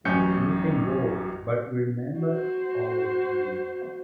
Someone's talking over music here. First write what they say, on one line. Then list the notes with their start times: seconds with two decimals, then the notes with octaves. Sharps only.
You can go, but remember our deal.
0.05 A1 F#2 C#4 G6 C#7
2.18 F#4 C5